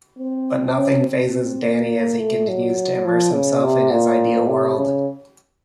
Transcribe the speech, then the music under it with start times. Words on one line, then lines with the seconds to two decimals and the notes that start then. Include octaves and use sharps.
But nothing fazes Danny as he continues to immerse himself in his ideal world.
0.19 C4
0.76 C#4
1.04 C4
1.62 A#3
2.19 A3
2.48 F#3
3.05 F3
3.34 C#3
3.63 C3
3.91 A#2
4.48 C3
4.78 C#3